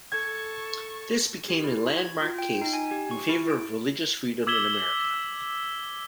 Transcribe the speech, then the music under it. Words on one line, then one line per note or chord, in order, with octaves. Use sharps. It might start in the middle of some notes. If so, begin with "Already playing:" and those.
This became a landmark case in favor of religious freedom in America.
A4 C#6 G#6
G4
E4
F#4
G#6
F4
G5
D#4
G#5
G4
C#6
E4
D7
D6 E6 G#6 B6 E7 G7